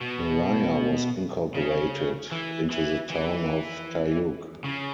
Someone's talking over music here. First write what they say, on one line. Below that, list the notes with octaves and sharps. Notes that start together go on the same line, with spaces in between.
Maria was incorporated into the town of Tayug.
B2
C#3
E3
E3
E3
C#3